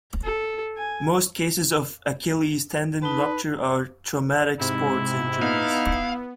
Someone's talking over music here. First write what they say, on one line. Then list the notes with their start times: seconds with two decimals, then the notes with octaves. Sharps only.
Most cases of Achilles tendon rupture are traumatic sports injuries.
0.23 A4
0.77 G#5
3.02 D#4 B4 A5
4.60 G#2 C3 E4
5.42 B3 D#4 F5